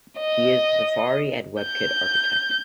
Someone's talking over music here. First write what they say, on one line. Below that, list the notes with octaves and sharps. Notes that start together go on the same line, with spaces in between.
He is the Safari and WebKit Architect.
D#5
G6